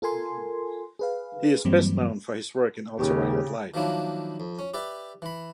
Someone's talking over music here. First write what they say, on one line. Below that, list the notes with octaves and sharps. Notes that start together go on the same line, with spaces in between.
He is best known for his work in ultra-violet light.
F4 A4 A#4 G#5 C6
G#4 B4 F5
G2 E3 F#3 G3 A#3 C4
D#2 C#3 G4
D#3 F3 F#3 A#3 D4 E4
F2
C#4
G4 B4 D5 E5
E3 B5